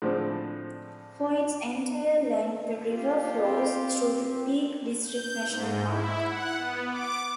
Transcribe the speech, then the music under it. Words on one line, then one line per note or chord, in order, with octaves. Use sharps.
For its entire length the river flows through the Peak District National Park.
A2 D3 F3 G#3 C4 D4
F4 G4
C4
G6
G#2
E4
F#5
B3
D6